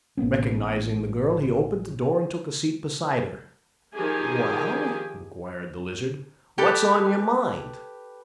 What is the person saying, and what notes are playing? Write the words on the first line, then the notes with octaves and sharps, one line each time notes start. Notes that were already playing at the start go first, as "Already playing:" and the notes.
Recognizing the girl he opened the door and took a seat beside her. "Well," inquired the Lizard, "What's on your mind?"
A1 A#3 B3 C#4
D#3 F3 G4 G#4 G#5
G4 A4 B4